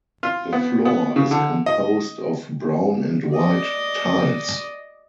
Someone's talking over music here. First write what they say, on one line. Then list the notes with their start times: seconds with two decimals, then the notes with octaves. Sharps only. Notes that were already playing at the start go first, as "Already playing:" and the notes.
The floor is composed of brown and white tiles.
0.23 F4
0.53 B3
0.85 B3
1.16 C#3
1.31 D3
1.66 D#5
3.34 D5 D#5